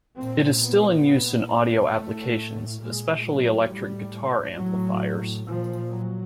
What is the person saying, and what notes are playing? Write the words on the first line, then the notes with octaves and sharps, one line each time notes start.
It is still in use in audio applications, especially electric guitar amplifiers.
A#2 C4
B3
A#2
A2 A3
A#2 G#3
F#3
A2 G3
A2 F#3
A#2 F3
F#3